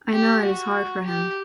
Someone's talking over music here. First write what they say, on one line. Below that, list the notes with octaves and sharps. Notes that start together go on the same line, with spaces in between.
I know it is hard for him.
G4
F#4
G4